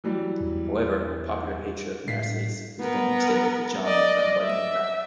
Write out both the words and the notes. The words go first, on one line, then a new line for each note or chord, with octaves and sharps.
However, popular hatred of Narses was then extended to John for inviting him back.
E3 F#3 G3
E2
A2 B6 C7
B3 A#4
D5 D#5
E5